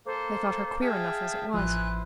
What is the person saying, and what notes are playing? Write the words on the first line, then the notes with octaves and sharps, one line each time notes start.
They thought her queer enough as it was.
A#3 A4 C5
G#4 E5 F5 G5 A5
A1 F3 E4 B4 C5 G#5 F#6